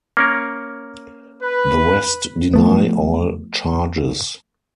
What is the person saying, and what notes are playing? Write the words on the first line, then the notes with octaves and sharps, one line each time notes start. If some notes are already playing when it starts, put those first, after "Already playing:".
The rest deny all charges.
A#3 C#4 A#4
B4
F3 A3 B3